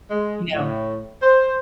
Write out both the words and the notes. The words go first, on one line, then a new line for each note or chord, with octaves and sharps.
you know?
G#3
A2
C5